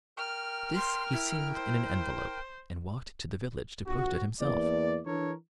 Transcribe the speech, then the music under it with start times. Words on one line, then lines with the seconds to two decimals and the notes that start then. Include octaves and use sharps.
This he sealed in an envelope, and walked to the village to post it himself.
0.18 A#4 G5 F6
0.76 C6
1.12 E4
1.54 C5
3.87 A#1 F#4
4.41 E2 A#3 D5
5.06 E3 D4 A4 A#4 C#5